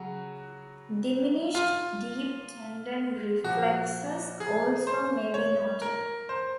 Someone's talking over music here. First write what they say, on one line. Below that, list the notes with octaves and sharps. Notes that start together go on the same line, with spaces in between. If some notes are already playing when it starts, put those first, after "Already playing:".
Diminished deep tendon reflexes also may be noted.
Already playing: C#3 F#3 F#4
F4
A#2 F3 F#4
G#4
C5
C#5
A#4
C5